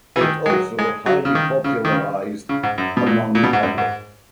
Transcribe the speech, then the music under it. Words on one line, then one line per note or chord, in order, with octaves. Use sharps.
It also highly popularized among the public.
E3
D#3
G#3
F#3
G#3
F#3
C#3
D#3
C#3
D#3
C#3
C#3
G#2
F#2
B2
A#2
A#2
B2
G#2
F#2
G#2